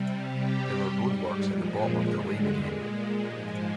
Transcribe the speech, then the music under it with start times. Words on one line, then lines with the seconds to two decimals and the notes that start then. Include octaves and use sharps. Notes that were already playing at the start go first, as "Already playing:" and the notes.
There are roadworks at the bottom of the lane again.
Already playing: C3 G3
0.25 C3 G3 G4
0.85 G#2 G3
1.45 A#2 F3 G#3
2.05 G2 D3 G#3
2.65 A#2 G#3
3.25 G#2 F3 G#3 G4